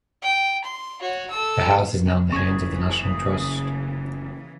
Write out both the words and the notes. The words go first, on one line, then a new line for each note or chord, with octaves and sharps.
The house is now in the hands of the National Trust.
G5
C6
F#4 C#5
A4 E6
F#1 A2 C#3 E3 C#4 G#4 C#6 G#6